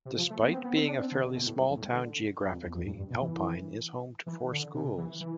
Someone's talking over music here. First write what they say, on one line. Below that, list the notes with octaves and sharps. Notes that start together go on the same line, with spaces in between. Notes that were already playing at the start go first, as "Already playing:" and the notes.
Despite being a fairly small town geographically, Alpine is home to four schools.
C3
F3
A3
B3
C4
B3
C4
D4
C4
D3
C3
B2
A2
G2
F2
A2
G2
D3
G2
F2
E2
F2
G2
G2
B2
E3
E3
D3
C3
E3
E3